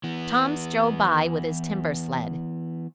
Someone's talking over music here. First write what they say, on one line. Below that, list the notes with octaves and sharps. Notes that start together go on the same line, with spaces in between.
Tom strode by with his timber sled.
E3 B3